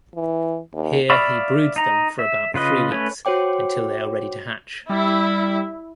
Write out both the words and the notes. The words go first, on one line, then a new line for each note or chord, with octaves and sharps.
Here he broods them for about three weeks until they are ready to hatch.
E3
D#2
D5 E5 F5 B5 C#6
D#4 A#5
E5
C#3 F4 B4 D#5
A3 C#4 B4 C#5
F#4 C5 C#5 G5 D6
G3 E4